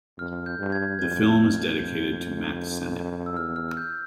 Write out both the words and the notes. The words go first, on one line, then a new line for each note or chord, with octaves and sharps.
The film is dedicated to Mack Sennett.
F2 F6
G6
G2
G#6
F2 G#6
F2
G6
E6
E2 F6
F6
F6
G6